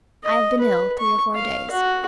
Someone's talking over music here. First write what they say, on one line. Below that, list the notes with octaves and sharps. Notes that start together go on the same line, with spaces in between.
I have been ill three or four days.
D#5
B4
C#6
F5
F#4